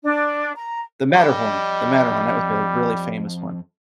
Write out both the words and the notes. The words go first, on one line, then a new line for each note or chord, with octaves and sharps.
The Matterhorn. The Matterhorn, that was the other really famous one.
D4
A#5
F2 G3 D#5